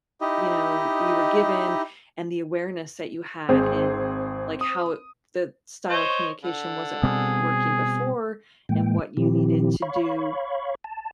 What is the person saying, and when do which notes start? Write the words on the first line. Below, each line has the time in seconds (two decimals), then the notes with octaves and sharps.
you know, you were given, and the awareness that you had in, like, how the style of communication wasn't working before and what you needed to do,
0.21 D#4 E4 G4 D#5
3.49 G#1 C4 G#4
4.61 D#6
5.90 C5 C#5 D#5
6.43 D3
7.03 B2 G3 C4 G#4
8.69 A2 E3 G#3 A#3 G5
9.17 A#2 D#3 F3 C4 E4 G4
9.82 C#5 F5 B5 C#6
10.84 A5